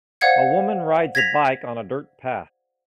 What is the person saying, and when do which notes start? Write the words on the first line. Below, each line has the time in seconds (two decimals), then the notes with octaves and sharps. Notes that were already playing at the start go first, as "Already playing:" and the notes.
A woman rides a bike on a dirt path.
0.21 C5 D5 F5 F#5 G#6 C#7
1.15 G#6 A#6 B6 F7